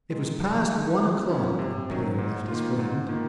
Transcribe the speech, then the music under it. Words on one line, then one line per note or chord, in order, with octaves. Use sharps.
It was past one o'clock when Pierre left his friend.
D#3 G#3
G#2
D#3 G#3
C3
D#3 F#3 C#4
C3
D#3 F#3 C#4
G#2
D#3 A#3 F4
G#2
D#3 A#3 F4